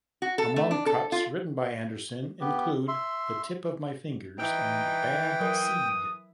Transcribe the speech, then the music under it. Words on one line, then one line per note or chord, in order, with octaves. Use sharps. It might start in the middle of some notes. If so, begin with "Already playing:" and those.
Among cuts written by Anderson included "The Tip of My Fingers" and "Bad Seed".
F#4
A4
A3
D4
A4
F4
B3 G4
E5 C6
E3 D#4 G5
F#3 A#4 D#6